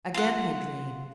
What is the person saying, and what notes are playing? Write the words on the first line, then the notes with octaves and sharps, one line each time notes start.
Again he dreamed.
F4 F#5